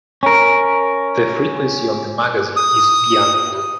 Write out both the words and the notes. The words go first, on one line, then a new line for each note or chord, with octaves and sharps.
The frequency of the magazine is biannual.
C#4 A#4
D#6